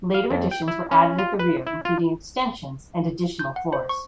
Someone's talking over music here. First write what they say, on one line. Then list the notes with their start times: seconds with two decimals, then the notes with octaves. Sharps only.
Later additions were added at the rear including extensions and additional floors.
0.14 F5
0.31 F2
0.51 G5
0.68 E4
0.91 C#4
1.18 F4
1.39 B4
1.67 E4
1.85 F4
3.39 G6
3.56 F#5
3.73 C5
3.89 C#6